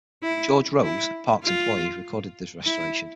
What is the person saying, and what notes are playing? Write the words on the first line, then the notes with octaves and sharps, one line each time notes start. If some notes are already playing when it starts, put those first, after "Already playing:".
George Rose, a parks employee recorded this restoration.
E4
E4
F4
E4